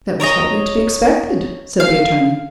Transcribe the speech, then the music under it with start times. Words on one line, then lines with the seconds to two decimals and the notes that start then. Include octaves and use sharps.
"That was hardly to be expected," said the attorney.
0.20 A#4 C#5 D#5 A#5
1.80 F5